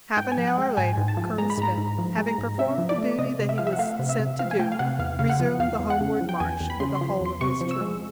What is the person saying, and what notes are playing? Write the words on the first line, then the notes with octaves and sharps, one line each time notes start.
Half an hour later Colonel Smith, having performed the duty that he was sent to do, resumed the homeward march with the whole of his troops.
G#2 G5
G#5
F3
F#5
G#3 G5
G#2 G#5
G#2
A5
F3
G#3 A#5
B5
G#2 A#5
G#2
F3
G#3
A#5
G#2
C3 E5
F3
D5
A3
C3 D#5
C3
E5
F3 F5
E5
F#5
A3 F5
C3
E5
C3
F3 F5
G#5
A3 G5
F5
C3 F#5
E2 F5
C#3 F5
F#5
F3
E2 F5
E2
F#5
C#3
F3
G5
E2 G#5
E2
B5
C#3 C6
C6
F3
E2 C6
C3 C#6
F3
E6
G#3